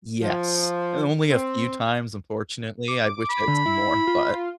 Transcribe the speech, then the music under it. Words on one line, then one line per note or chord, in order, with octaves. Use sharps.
Yes, and only a few times, unfortunately, I wish I'd seen more, but
F3
C4
D6
B5
D3
E4
F4